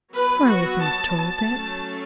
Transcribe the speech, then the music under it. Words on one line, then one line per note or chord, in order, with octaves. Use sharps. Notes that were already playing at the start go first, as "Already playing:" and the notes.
"I was not told that."
F#3 B3 B4
F#4
A5
A5
F#3 A3 C#4